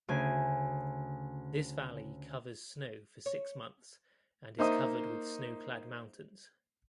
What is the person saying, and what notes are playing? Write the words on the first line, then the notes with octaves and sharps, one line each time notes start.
This valley covers snow for six months and is covered with snow clad mountains.
D2 C#3 G#5
C#5
A#3 D#4 C5 D#5 E5 D#6